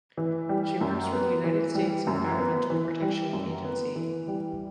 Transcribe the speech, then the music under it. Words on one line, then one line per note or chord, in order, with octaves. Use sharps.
She works for the United States Environmental Protection Agency.
E3
G3
F#2
B3
E3
G3
F#2
B3
E3
G3
F#2
B3
E3
G3